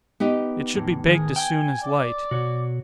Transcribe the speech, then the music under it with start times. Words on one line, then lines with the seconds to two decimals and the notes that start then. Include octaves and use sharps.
It should be baked as soon as light.
0.20 B3 D#4 G4
0.74 E2 A2
1.07 A2 D#3 G#4
1.36 G5 G#5
1.82 D5
2.31 B2 F#4 C#5